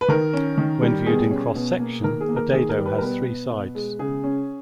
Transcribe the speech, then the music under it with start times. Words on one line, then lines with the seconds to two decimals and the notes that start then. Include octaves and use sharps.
When viewed in cross-section, a dado has three sides.
0.01 B4
0.08 D#3 A#4
0.33 C#4
0.58 D#3
0.82 G3
1.06 B2 G#4
1.31 C#4
1.55 B2
1.80 A#3
2.04 D#3 A#4
2.21 G#4
2.29 A#3
2.36 A#4
2.53 D#3 G#4
2.69 A#4
2.78 G3
2.86 B4
2.98 A#4
3.02 B2 B4
3.26 B3
3.51 B2
3.75 G#3
3.99 C#3 G#4
4.24 C#4